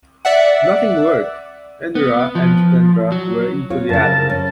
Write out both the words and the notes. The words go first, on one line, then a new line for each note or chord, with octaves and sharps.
Nothing worked; Indira and Jitendra were equally adamant.
D5 E5 F#5
B3
F3
F#3
C4 F4 C#5
C2 F#2 C#3 A#4 A5
C#4